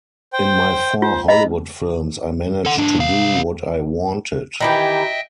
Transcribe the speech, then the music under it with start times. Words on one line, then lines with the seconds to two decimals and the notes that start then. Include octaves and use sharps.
In my four Hollywood films I managed to do what I wanted.
0.33 C5 G5
1.02 F4 C5
1.28 D#5 A#5 B5
2.65 A4 F#5
2.78 G#2 D4
2.99 C2 F5
4.60 D#3 E3 G4 D#5 E5 G5